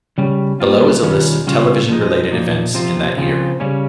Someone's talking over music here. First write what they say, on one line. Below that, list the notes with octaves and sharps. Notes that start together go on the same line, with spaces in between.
Below is a list of television-related events in that year.
C#3 G3 C#4
G3 A#3 F4
D#3 G3 C#4 F4
C#3 G3 C#4 F4
F3 G#3 D#4
A#2 F3 A#3 D#4
C3 F3 C4 F4
C#3 F3 C4 F4
C#3 G3 C#4